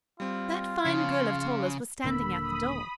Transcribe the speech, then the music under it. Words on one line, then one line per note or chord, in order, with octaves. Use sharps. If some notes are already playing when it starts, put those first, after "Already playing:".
That fine girl of Toller's was standing at the door.
G3 C4 F4
C#3 F3
D#1 D3 A#3 B5 E6
B5 D#6